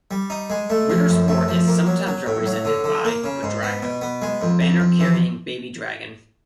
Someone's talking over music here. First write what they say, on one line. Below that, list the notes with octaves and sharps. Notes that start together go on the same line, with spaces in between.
Ritter Sport is sometimes represented by "Quadrago", a banner-carrying baby dragon.
G3
D#4
G#3
A3
F3
F#2
A3
F3
A#3
F#3
F#3
A2
F#3
D3
D3
A#3
C#3
G#2
B3
B2
B3
G#3
F2
F2
F2
E3